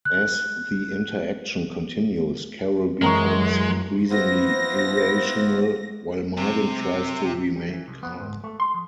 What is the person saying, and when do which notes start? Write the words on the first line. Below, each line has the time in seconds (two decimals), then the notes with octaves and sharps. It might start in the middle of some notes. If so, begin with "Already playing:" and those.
As the interaction continues, Carol becomes increasingly irrational, while Marvin tries to remain calm.
0.05 F#6
3.02 F#2 E3 G#3 A#4 A#5 C#6
4.11 B3 E4 F4 C5 A#6
6.38 C3
7.56 G3
7.70 E3
7.88 C2
8.03 B3
8.20 G#2
8.44 A3
8.60 C6
8.74 F3